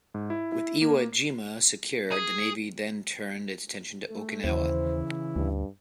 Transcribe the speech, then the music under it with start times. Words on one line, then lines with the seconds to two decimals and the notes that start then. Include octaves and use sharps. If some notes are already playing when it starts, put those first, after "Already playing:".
With Iwo Jima secured, the Navy then turned its attention to Okinawa.
0.14 G#2
0.30 E4
0.52 E4
0.82 A#3
1.13 C7
2.12 G#4
4.08 A3
4.44 D#2 C#3 E3 E4 C5
5.36 D2 G2